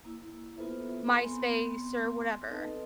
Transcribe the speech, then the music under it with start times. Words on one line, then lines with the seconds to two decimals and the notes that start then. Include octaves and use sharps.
MySpace or whatever.
0.05 A#3 E4
0.57 B3 F4 A4 B4 C5 E5
1.07 B3 C4 G#5 B5 C6
2.49 C4 D#4 A4 B4 D#5 A5